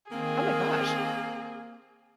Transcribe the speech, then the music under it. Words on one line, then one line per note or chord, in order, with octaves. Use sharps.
Oh my gosh!
D#3 A#3 C4 G#4